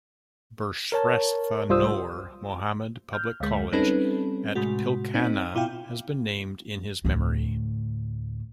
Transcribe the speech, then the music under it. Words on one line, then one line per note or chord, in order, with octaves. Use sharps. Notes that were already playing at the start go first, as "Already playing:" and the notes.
Birshreshtha Noor Mohammad Public College at Pilkhana has been named in his memory.
A#4 C#5 A5
C2 G3 F4 C5 D#6 E6
F6 G6
D2 G#3
G3 C4 C#4 D#4 A4 B4
A2 C3 G#3 F#4
C4 D#4
B2 E4 F4 F5 G5
D2 A2